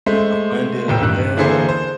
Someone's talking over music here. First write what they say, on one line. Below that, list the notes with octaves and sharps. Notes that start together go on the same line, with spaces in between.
Like a fun dip, yeah.
G#3 A3 C5
D#1 A1 G5 E6
G2 D#3 F#6
D3 E3 A#3 G#4 A4 C5
C5